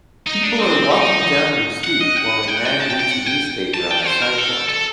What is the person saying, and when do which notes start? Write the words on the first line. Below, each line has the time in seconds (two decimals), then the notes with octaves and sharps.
People are walking down a street while a man reads a newspaper on the sidewalk.
0.27 D#4
0.43 D4
0.59 C4
0.90 D#4
1.84 F#5
2.01 D#5
2.17 F#5
2.48 G5
2.57 F#5
2.65 G5
2.80 A5
2.90 G5
3.00 G5
3.11 F#5
3.26 G5
3.74 A5
3.91 G5
4.05 C5
4.22 A#4
4.38 A4
4.69 A4